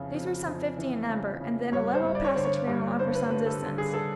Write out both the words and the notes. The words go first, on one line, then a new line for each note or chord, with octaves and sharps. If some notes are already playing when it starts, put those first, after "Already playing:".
These were some fifty in number, and then a level passage ran along for some distance.
Already playing: F2 C#3 E3
F2
F2
E3
C#3
C#3
G2 C#5
C5
G2
D5
C#5
D3 C5
C#5
G2
D3 C5
B4
D3 B4
A4
D3
G#4
A4